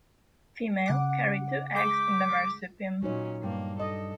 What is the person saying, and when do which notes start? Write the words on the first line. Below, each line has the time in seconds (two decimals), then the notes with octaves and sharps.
Female carry two eggs in the marsupium.
0.86 C#3 F#5 D6
1.75 G#3 D6 G6 B6
3.02 A#2 F#3 C#4 D#4 C#5
3.43 G2 A#3
3.80 A4 D#5